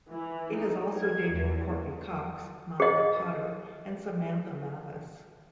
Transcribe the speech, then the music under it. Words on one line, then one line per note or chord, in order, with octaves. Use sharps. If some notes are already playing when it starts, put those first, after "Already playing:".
He has also dated Courteney Cox, Monica Potter, and Samantha Mathis.
E3
D#4
G#6
E2
G#4 D#5